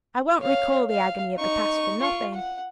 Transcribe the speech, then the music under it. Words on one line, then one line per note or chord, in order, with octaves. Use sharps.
I won't recall the agony of the past for nothing.
C#5 F5
F5
D#4 C#6
F4 C#6
F#5